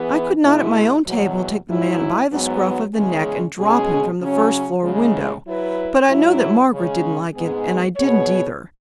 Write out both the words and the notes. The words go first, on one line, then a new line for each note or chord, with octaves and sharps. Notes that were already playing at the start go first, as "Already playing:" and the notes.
I could not, at my own table, take the man by the scruff of the neck and drop him from the first floor window. But I know that Margaret didn't like it--and I didn't either.
Already playing: E3 B3 E4 G#4 B4
B2 G#3 E4
E2 B2 F#3
G#2 F#3 E4
G#2 F#3 B3
E2 C#3 G#3 C#4 G#4
B2 G#3 C#4 G#4
C#3 F#3 C#4
E2 C#3 G#3
F#3 E4 B4
G#2 F#3 E4
C#3 G#3 C#4
G#2 G#3 B3 G#4
B2 B3 G#4 C#5